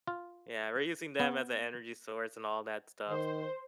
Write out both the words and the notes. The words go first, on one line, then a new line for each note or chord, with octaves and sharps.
Yeah, we're using them as an energy source and all that stuff,
F4
B3
D#3 C5